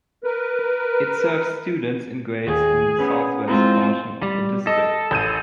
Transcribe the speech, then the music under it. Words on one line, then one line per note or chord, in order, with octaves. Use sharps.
It serves students in grades in the southwest portion of the district.
A#4 B4
D#2 G#4
B3 C#4 B4
G#3 C4 E4 F4 A#5
G3
A4 D#5
A1 G6 D#7